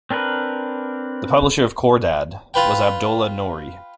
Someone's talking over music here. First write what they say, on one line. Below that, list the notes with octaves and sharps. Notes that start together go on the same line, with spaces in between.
The publisher of "Khordad" was Abdollah Noori.
C4 D4 A#4 B4
F4 B4 G5